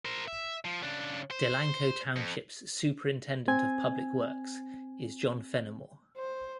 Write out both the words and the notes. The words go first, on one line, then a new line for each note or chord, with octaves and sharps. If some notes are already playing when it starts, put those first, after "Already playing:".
Delanco Township's Superintendent of Public Works is John Fenimore.
A#4 C5
E5
F3
C#3 D4
C5
F2
C4 G#5 G#6
C5